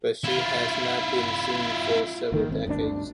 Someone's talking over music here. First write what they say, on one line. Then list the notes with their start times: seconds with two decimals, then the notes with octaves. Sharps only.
But she has not been seen for several decades.
0.24 E4 F4
2.32 G1 D#3 A#3
2.49 G#1 C4
2.67 G1 D2 C4 D4